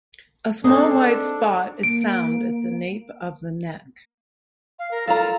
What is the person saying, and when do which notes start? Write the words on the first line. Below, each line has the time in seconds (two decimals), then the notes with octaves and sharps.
A small white spot is found at the nape of the neck.
0.64 A#3 C4 D4 D#4 G#4 A4
1.83 A#3 D7
4.79 F5
4.91 A#4
5.07 F4 A4 F5 A#5